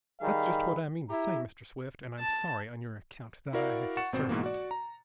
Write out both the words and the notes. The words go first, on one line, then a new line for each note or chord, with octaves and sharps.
"That's just what I mean to say, Mr. Swift, and, I'm sorry, on your account, that I have to serve it."
D#3 G3 G#4 F5 B5
E4 G4 A#5
A5
E4 F#4 A#4 D5 F5
F#5 C#6 A6 C#7 E7
G#1 B2 C4 C5
G#2 B2 E3 A#3
F#4 D5
A#5